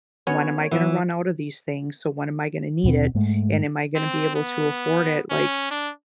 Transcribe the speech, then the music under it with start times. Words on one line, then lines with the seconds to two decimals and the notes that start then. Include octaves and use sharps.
when am I gonna run out of these things? So when am I gonna need it? And am I gonna be able to afford it?" Like,
0.27 B3 C#4 F#4 C#5
0.71 E3 B3
2.84 D#2 B2 B3 C4
3.15 G#2 G#3 A3
3.96 C4
4.35 B3
5.30 C#4
5.71 D4